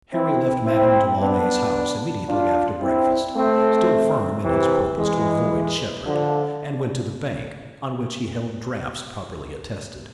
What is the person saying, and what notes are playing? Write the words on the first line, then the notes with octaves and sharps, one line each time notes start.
Harry left Madame Delaunay's house immediately after breakfast, still firm in his purpose to avoid Shepard, and went to the bank, on which he held drafts properly attested.
C4 E4
C4 E4
B3 D4
D4 F4
C4 E4
A3 C4
C3 E3
E3 G#3
D3 F3